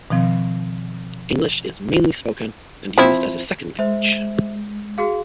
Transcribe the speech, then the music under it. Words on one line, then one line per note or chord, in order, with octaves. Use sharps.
English is mainly spoken and used as a second language.
B2 D#3 F3 C4
F3 C4 E4
G#3 C5 E5
F#4 G#4 F5